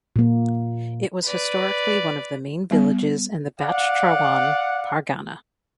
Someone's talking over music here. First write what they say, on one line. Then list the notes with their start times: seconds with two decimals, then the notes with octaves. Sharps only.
It was historically one of the main villages in the Bachhrawan pargana.
0.16 A#2 A#3
1.26 B4 D5
2.71 G3 B3
3.60 D5 F5 F#5